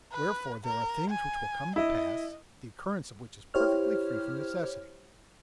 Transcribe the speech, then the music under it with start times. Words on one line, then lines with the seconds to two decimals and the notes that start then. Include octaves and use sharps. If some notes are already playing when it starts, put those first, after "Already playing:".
Wherefore there are things which will come to pass, the occurrence of which is perfectly free from necessity.
0.12 B4
0.64 A#4
1.10 G#5
1.76 E4 D#5
3.54 E4 G4 C5 C#5 F6